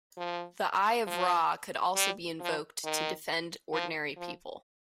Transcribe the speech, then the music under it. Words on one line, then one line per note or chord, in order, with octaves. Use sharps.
The Eye of Ra could also be invoked to defend ordinary people.
F3
F3
G3
F3
D#3
F3
F3